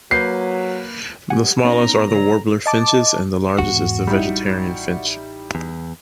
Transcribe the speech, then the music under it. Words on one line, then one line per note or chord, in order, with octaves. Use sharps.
The smallest are the warbler-finches and the largest is the vegetarian finch.
F#3 A#3 B4 G6 C7
G4 F#5 G#5
B3 C#4 D#4 C5 A#5
A#2 C#3 F#3 A#5
D#5 A5 D6
E2 G#2 F#4
A1 G3 D#4 E4
E2